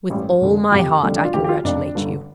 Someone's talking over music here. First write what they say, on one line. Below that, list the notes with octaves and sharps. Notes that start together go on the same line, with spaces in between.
With all my heart, I congratulate you.
A1 G2 G3
F1 F2 D3
F1 F2 F3 G4
F1 F2 D3 G3
D4
F4
D2 D3 F3 G4
G4
F4
F1 F2 F3 D4
G1 G2 D3